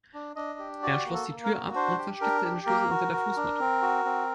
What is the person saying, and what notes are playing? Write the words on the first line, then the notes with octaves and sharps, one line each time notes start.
Er schloss die Tür ab und versteckte den Schlüssel unter der Fußmatte.
D4
D4 D#5
G4
F#4 D5
A#3
A4
A#3
A#4
F#4
D4 C5
G4
D4 A#4
G4
A#3 A#4
F#4
F#4
D4
C4
F#4
C4